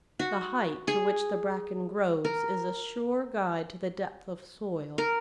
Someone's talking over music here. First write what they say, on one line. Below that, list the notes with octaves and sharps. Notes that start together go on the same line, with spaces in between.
The height to which the bracken grows is a sure guide to the depth of soil.
F#4
G#4
A#4
A#4